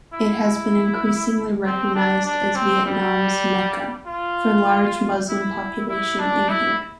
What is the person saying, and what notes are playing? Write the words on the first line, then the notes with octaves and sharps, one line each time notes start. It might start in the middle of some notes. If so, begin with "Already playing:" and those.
It has been increasingly recognized as Vietnam's Mecca, for large Muslim population in here.
E4
C4
D4
D4
C4
G3
F4
E4
E4
D4
E4